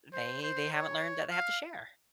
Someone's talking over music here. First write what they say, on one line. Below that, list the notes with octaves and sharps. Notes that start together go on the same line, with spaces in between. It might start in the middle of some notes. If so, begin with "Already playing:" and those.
they they haven't learned that they have to share!
C5
C5
C#5
F5